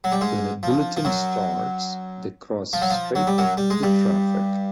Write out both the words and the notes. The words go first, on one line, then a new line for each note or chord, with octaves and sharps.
When a bulletin starts they cross straight to traffic.
F#3
G3
G#2 G#3
F3
F3
F#2 F#3
F3
F#3
F3
F#3
G3
F#2 F#3
G3
G#3
G2 G3